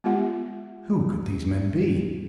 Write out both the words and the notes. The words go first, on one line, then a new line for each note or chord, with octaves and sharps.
Who could these men be?
G#3 B3 F4 G4 E5 F#5